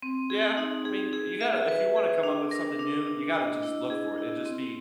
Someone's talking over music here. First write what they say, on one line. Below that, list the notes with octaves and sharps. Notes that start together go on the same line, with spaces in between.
Yeah, I mean, y you gotta if you wanna come up with something new, you gotta just look for it and just be
C4
G#4
D#4
G#4
G#4
E5
B4
G#4
D4
A#4
D4
D4
D#5
E4
G#4
E4
C4